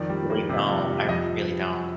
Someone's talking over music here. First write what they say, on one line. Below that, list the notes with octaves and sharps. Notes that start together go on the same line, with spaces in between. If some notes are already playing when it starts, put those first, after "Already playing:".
Really don't, I really don't.
Already playing: F2 D#3 D5
G3
A#3
C3
F2
G3
F2 D#5